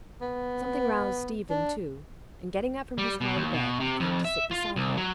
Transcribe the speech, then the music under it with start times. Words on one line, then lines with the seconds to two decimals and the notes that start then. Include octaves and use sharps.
Something roused Stephen too, and getting up from his hard bed, he came to sit beside her.
0.21 B3
1.50 D4
2.98 G3
3.21 B2
3.37 D#2
3.53 B2
3.80 C3
4.00 F2
4.25 E5
4.51 F4
4.76 C2
4.97 F#3